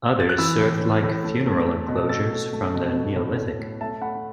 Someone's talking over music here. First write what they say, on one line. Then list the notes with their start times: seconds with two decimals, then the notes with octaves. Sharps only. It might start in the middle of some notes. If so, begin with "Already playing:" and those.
Others served like funeral enclosures from the Neolithic.
0.20 A6
0.29 F#6
0.38 E3 B5 E6
0.61 A2
0.81 A2
1.03 A2
1.24 A3
1.46 A3
1.66 A3
1.88 B2
2.09 A3 E6 A6
2.30 A3
2.53 A3
2.74 B2
2.95 A3
3.16 A2
3.38 A2
3.59 A3
3.81 A3 E5 A5
4.01 A3 F#5 B5